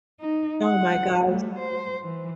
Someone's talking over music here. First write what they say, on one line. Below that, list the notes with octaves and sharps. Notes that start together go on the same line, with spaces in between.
Oh my gosh.
D#4
F#5
G3 A3
C5
E3